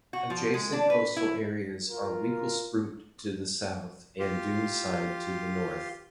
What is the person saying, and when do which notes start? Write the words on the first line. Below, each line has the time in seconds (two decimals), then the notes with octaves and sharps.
Adjacent coastal areas are Winklespruit to the south and Doonside to the north.
0.13 F#4
0.30 F3
0.54 G#3
0.72 D4
0.90 B4
1.16 E4
1.89 F4 A#4
4.19 F4 G4 C6